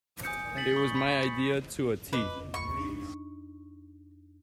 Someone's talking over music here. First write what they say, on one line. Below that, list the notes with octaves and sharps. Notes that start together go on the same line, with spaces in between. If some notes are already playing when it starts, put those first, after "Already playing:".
It was my idea to a tee.
G#5 D#6 G6 C#7
A6 B6 F#7
B5 C#6 D#6
B5 B6 C#7
F2 B4 D#5 D6
B5 C#6
D4 D#4